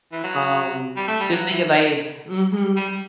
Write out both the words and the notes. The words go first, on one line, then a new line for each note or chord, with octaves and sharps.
um, just thinking, like Mhm,
E3
F#3
G3
A3
G3
F#3
E3
G3
G3